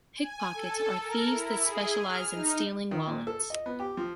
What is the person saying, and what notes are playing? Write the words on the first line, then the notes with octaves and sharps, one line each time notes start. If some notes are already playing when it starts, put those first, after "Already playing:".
Pickpockets are thieves that specialize in stealing wallets.
G#5
A4
A#4
E4
G#4
F6
D#4
D#3
A#2
A4
D#5
B3
G4
F3